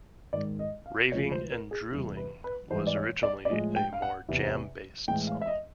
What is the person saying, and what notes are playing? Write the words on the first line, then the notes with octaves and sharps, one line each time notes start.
"Raving and Drooling" was originally a more jam-based song.
G#2 D#3 G#3 D5
D#5
F5
D2 C3 F3 G#3 C#5
C5
A#4
G#4
E2 C3 E3 G3
B4
B4
G#2 E3 G3 C5
D5
C#5
D5
D5
A2 F3 G#3 D#5
G5
F5
F#5
E2 C3 E3
A2 E3 G#3 G5
F5
E5
D#5